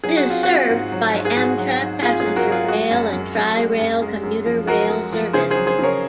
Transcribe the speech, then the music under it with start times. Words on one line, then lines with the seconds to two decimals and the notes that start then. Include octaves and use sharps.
It is served by Amtrak passenger rail and Tri-Rail commuter rail service.
0.04 F#3 G#4
0.17 F#4
0.26 C4 F4
0.43 C4 F#4
0.70 G#2
0.92 F#3
1.14 G#2
1.25 G#4
1.36 G#2 F#4
1.58 F#3
1.81 G#2
2.03 C4 F4 G#4
2.20 F4 G#4
2.25 F#3
2.36 F#4 A#4
2.47 F#3 F4 G#4
2.68 G#3 F#4
2.91 F#2
3.13 F#2
3.35 F#2
3.57 G#3
3.79 F#2
4.02 G#3
4.23 F#2
4.46 F3
4.67 G#3 F#4 A#4
4.89 G#3
5.12 F3
5.33 C#3 G#4 C5
5.50 G#4 C5
5.55 F#3
5.67 G#4 C5
5.79 C#3 A#4 C#5